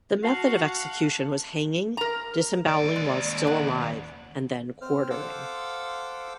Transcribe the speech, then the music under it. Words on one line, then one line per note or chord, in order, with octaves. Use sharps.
The method of execution was hanging, disembowelling while still alive and then quartering.
F#4 F5 F#5 A5 C7
A#4 A#5
D#2 D5
G#3
F#5
C4 C5 F6
A4 C5 F5 F#5 D6 E6